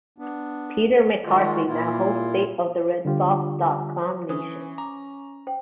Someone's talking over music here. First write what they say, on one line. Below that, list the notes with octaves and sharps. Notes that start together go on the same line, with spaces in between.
Peter McCarthy now hosts "State of the RedSox dot com Nation".
B3 D4
D#3 G#3 F4 F#4
A#2 A#3 E4 F4
D3 G3 F4 G4
E3 C#4 B4 C5 D#6
A#5 D6
C5 G5